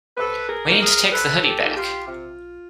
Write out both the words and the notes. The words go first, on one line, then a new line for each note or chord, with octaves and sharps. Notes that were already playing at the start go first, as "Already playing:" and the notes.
We need to take the hoodie back!
C3 A4 B4
G#4 A#4
F3 A#3 D#4
G#4 A#4
C3 A4 B4
G4 A4
F3 A#3 D#4
F4 G4
C3 F4